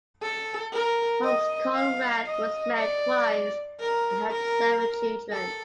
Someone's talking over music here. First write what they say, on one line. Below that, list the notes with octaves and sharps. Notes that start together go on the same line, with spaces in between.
Holmes Conrad was married twice and had seven children.
A4
A#4
D#5
F5
D#5
D5
A#4
A#4
A4